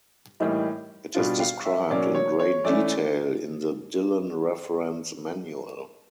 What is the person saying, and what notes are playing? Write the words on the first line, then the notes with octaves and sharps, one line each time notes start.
It is described in great detail in the Dylan Reference Manual.
A2 E3 G3 A#3 D#4
B2 G3 B3 D4 F4
F5
E5
B2 F#3 A#3 C#4 D5
C#5
C#5
E3 A3 C#4 D5